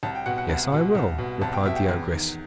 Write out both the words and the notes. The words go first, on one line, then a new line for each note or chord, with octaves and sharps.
'Yes, I will,' replied the ogress.
C2 A5
G5
B2 F#5
F#5
C2
B2
C2
B2
C2 A5
G5
B2 E5
G5
E2
D#3